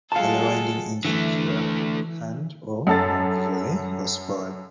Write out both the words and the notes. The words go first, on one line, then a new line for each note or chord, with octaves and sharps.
Early winding engines were hand, or more usually horse powered.
F#3 G#3 F4 A4 F5 A5
D3 E3 A3
F#2 A4 A6